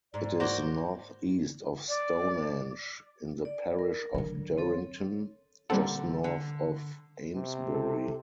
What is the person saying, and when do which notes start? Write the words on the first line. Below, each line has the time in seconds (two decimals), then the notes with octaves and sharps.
It is north-east of Stonehenge in the parish of Durrington, just north of Amesbury.
0.14 G#2 D5
0.40 A#3 F#4 C5
1.89 D5
3.45 D5
3.79 A#4
4.14 D3 F#3
4.58 C4 A4 C#5
5.70 A#2 D3 G3 C4 A4 F#5
6.24 D3
7.35 C3
7.75 A4